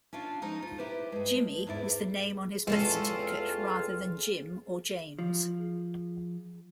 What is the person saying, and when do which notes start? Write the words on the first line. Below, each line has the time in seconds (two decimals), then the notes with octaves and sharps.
"Jimmy" is the name on his birth certificate, rather than "Jim" or "James".
0.13 C#4 D4 F4 F5
0.42 F3 G#3 D#4 F#4
0.62 F4
0.78 E4 G4 B4 C5
1.12 G2 G#3
1.67 E2 G#2 E4 D5
2.67 E2 G#3 C4 C#4 F4 A4
5.19 F3